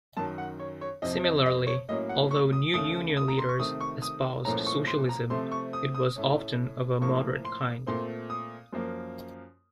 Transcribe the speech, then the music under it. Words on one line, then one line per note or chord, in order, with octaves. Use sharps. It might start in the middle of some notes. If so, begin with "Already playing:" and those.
Similarly, although New Union leaders espoused socialism it was often of a moderate kind.
F#2 D#3 F#3 A5
F#5
C#5
C#5
F2 C3 F3 D#5
D#5
D#5
C#5
A2 F#3 A#3 C#4 D#5
F#5
C#6
D#6
D#2 C#3 A3 D#6
D#6
A#5
C6
C#6
C3 D#3 A3 C4 D#6
C#6
D#6
C2 A#2 F3 A3 C#4 A#5
C#6
C6
A#5
C3 F3 A3 C4 C6
C#6
D#6
D#6
A2 A3 C#4
A2 F3 A#3 C#6
C6
A#2 A3 C4 C6
D#6
F#2 F3 A#3